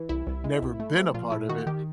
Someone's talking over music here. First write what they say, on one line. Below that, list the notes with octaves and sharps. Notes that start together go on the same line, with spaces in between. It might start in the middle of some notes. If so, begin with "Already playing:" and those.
never been a part of it,
Already playing: E3
C2 E4
C2
G#3
C2
A3
F3
A#2 F4
A3 E4
D#3 F#4
D#3 G4